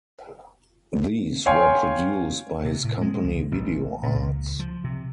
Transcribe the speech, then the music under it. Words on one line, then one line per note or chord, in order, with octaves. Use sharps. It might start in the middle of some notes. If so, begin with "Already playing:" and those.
These were produced by his company Video Arts.
C#5 F5 G5 G#5 C6
C3
A2
G#3
C#2
A1
A#2
C#2
F3
C3